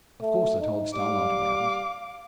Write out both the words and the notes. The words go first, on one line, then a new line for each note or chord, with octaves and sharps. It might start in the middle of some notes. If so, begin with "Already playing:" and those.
Of course I told Starlight about it.
A3
D#4
G3 F5 D6